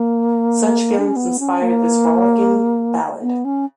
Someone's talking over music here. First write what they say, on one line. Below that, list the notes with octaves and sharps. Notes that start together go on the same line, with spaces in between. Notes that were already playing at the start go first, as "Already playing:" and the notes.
Such feelings inspired this rollicking ballad.
Already playing: A#3
D4
C#4
B3
C#4
A#3
B3
C#4